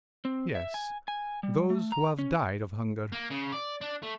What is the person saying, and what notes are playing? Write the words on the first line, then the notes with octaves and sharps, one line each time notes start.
"Yes; those who have died of hunger."
C4
E5
G#5
G#5
G3
A3
A#5
C#4
A#3
C#3
D5
D4
A3